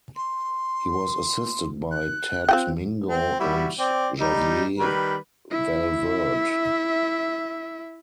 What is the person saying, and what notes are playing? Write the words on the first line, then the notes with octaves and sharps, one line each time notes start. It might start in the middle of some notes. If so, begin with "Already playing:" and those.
He was assisted by Tadd Mingo, and Javier Valeverde.
C6
F#6
C4 F4 G5
C4
G3 E4 F#4
C4 D5
G3 D#4
D#3 G3 B4
E4 E5